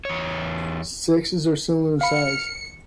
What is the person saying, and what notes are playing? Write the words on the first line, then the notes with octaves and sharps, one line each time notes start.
Sexes are similar in size.
E2 C#5
F5 B5 F6 C#7